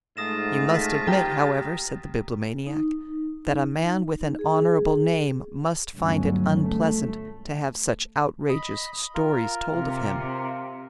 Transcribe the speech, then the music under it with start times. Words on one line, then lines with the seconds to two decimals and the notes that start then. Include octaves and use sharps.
"You must admit, however," said the Bibliomaniac, "that a man with an honorable name must find it unpleasant to have such outrageous stories told of him."
0.17 G#2 A3 F4 D#6 A#6 E7
0.69 A#6 B6
1.07 G4 A#5
2.67 D#4
4.39 G#4
5.97 G1 D2 F#3 C#4
6.57 A3
8.49 D#5 B5
9.15 F4 A#4
9.71 C3